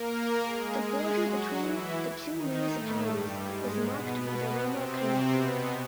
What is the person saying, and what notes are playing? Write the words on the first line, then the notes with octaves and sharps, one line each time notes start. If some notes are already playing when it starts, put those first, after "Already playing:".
The border between the two municipalities is marked by the Ramo canal.
Already playing: A#3 A#4
G#3 G#4
G#3 G#4
F#3 F#4
E3 E4
D#3 D#4
A2 A3
G2 G3
G#2 G#3
B2 B3
B2 B3
C3 C4
B2 B3